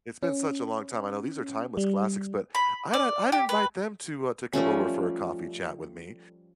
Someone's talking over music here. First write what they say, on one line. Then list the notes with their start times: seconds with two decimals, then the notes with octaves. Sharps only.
It's been such a long time. I know these are timeless classics, but I'd I'd invite them to, uh, to come over for a coffee chat with me,
0.23 C#4
1.77 G3
2.55 B5
2.93 D5
3.32 G4
3.49 B4
4.53 F3 G3 A3 C#4